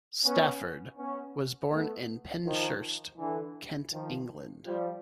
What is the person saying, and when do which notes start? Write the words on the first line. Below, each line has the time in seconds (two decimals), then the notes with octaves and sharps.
Stafford was born in Penshurst, Kent, England.
0.24 B3 C#4
0.98 B3 C#4
1.72 A3 B3
2.45 D#3 F3
3.18 D3 E3
3.91 D#3 F3
4.65 F3 G3